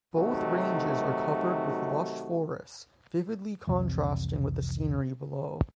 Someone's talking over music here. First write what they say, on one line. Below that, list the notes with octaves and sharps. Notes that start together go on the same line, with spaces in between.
Both ranges are covered with lush forests vividly contrasting with the scenery below.
C3 D#3 F#3 A3 D#4 F#4
C2 F2 C3 E3